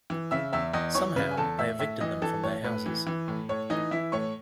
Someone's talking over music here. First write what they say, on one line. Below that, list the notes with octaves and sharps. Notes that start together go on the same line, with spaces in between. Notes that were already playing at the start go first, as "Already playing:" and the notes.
Somehow, they evicted them from their houses.
E3
C#3 E5 E6
E2 E5 E6
E2 D#5 D#6
E3 C#5 C#6
C#3 B4 B5
G#5
E2 A4 A5
A2 E5 E6
A2 E5 E6
E3 D#5 D#6
E3 A4 A5
A2 C#5
A2 B4
E3
E3
A2
A2 C#5
E3 D#4 D#5
E3 E4 E5
A2 C#5 C#6